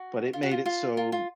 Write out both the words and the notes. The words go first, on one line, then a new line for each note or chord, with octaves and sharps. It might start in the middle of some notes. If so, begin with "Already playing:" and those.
but it made it so,
Already playing: F#4
F4
F#4
F4
F4
F4
F4